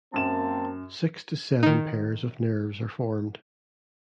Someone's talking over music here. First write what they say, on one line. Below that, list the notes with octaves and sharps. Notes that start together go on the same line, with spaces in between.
Six to seven pairs of nerves are formed.
F#2 A#3 C4 A5 E7
D#3 D#4